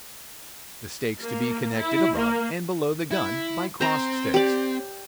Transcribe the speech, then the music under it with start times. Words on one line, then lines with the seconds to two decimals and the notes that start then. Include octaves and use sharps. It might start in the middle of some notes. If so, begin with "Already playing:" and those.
The stakes to be connected above and below the gun, by cross sticks.
1.21 A#3
1.76 E4
2.16 A#3
3.11 E4
3.81 C4 C5 A#5
4.34 G4 D5